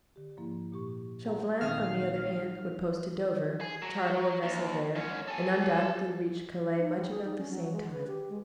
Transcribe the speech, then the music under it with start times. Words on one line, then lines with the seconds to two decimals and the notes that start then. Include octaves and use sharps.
Chauvelin, on the other hand, would post to Dover, charter a vessel there, and undoubtedly reach Calais much about the same time.
0.16 D3 G4
0.37 G#2 F3 A#3 E4
0.72 A#2 G4 C#6
1.24 F4 G#4 A#4 F#5 A#5
1.61 A#1 D#3 E5 F5 G#5 D#6 F6
3.61 G#4
3.82 F#3
4.43 D#2
4.95 G#2 C#4
5.28 A4 G#5
6.78 D#4
6.97 G3
7.10 G#4
7.24 D#4
7.38 C#4
7.51 F#3
7.72 G#3
7.90 B4
8.07 G4
8.29 G#3